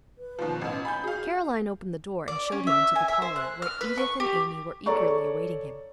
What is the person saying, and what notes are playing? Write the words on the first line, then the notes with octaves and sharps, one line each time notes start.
Caroline opened the door and showed him into the parlour, where Edith and Amy were eagerly awaiting him.
B4
B2 D#3 F3
A1 D#5
G#5 B5 G6
F#4 G#4 F5
D5
C#4
E5
G#5
E5
C5
F#6
F6
B4
C#6
G4
A4 C#5 D5 A#5 C#6